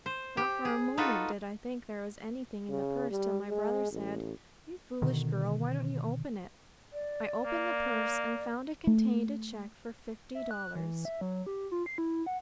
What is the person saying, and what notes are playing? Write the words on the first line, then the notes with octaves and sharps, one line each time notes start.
Not for a moment did I think there was anything in the purse till my brother said: "You foolish girl, why don't you open it?" I opened the purse, and found it contained a check for fifty dollars!
C5
G4
G#4
D#4 F4 F#4 A4 B4
C#3
G3
G#3
A1
B2 D3 D#3
D5
A#3
A3
E5
F#6
E3
E5
F#3
G4
F4
C7
E4
F#5